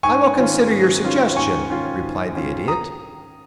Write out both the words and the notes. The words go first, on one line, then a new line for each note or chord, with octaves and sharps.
"I will consider your suggestion," replied the Idiot.
G#2 G#5 C#6
D#3 C#4 F4
G#2
D#3 C#4 F4
G#2 G#5 C#6
D#3 C#4 F4
G#2
D#3 C#4 F4
A#5 D#6